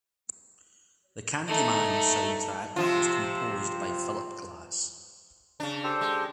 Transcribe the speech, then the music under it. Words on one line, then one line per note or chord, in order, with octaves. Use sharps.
The "Candyman" soundtrack was composed by Philip Glass.
A3 D#4
C3 F3 F4
C#3 D4
G4 A4 C5
G#3